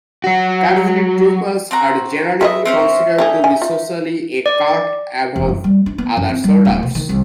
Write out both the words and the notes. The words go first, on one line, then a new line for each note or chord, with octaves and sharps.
Cavalry Troopers are generally considered to be socially a cut above other soldiers.
F#3 F#4
C4 F#4 A#5
F4 G#4 B4 D#5 E5
C4 C#4 C5 E5
A3 D4 D#4 G#4
G#5
F4
D5
E1
F#2
G3
D4
B3
F#2
C4
G3
D1
B2
D#3
C2